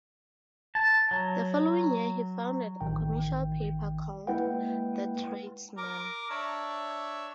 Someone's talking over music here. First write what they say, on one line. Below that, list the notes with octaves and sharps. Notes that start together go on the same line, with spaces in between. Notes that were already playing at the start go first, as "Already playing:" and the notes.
The following year he founded a commercial paper called "The Tradesman".
A5
F#3
A1 D#3 G5
G#3 A#3 E4 B4 F#5 G5
A#4 A#5 D6
D4 C#5 E5